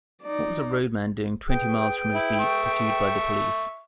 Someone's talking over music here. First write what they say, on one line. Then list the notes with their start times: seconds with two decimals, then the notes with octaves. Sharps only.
What was a roadman doing twenty miles from his beat, pursued by the police?
0.23 D#4 D5
1.49 G#4 B4 G5
2.15 E4
2.40 E5 C#6